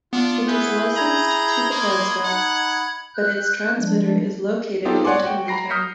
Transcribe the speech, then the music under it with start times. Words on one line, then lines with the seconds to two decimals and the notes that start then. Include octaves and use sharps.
It is licensed to Bethesda, but its transmitter is located in Tenleytown.
0.13 B3 D4 F4
0.47 E4 G#4 B4 G6
0.96 A#5 B5 G#6
1.71 A#3 D#5 C6
2.25 D#4 F#5
3.15 F#6 G6
3.76 F3 G3 G#3 D4
4.85 B3 C4 D#4 F4 G4 A4
5.05 C#5 D5 F#5 G#5 C6 D6
5.24 F#4 G5
5.47 A#5 B5 A#6 C7 D7
5.70 D#6 F6 G6 B6 C#7